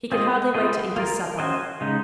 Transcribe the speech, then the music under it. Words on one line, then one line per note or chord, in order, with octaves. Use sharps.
He could hardly wait to eat his supper.
C4 F4 G#4 D#5
C4 F4 G#4 D#5
A#3 F4 A#4
C#4 F#4 C5 D#5
C#3 G#3 D#4